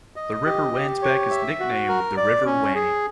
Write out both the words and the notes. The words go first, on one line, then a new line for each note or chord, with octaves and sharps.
The River Wansbeck is nicknamed the River Wanney.
D#5
G4
G4
C#5
E5
F#4
A#4
D5
C#4
G#4